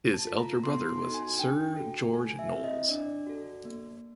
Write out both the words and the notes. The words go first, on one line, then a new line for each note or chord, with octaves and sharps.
His elder brother was Sir George Knowles.
A5
F4 A4
A#5
B3 C6
C6
D#4 F#4 A4
G#5
D4 G5
F#4 A4
A3 G#5
E5
C4 E4
D#5
D4 D5
F#4 A4
A#3